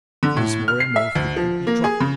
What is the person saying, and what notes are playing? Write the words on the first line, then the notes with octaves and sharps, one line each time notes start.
He was more and more frequently drunk.
D3
A2
F6
C7
E5
D2
F3
A#3
G#4
C#3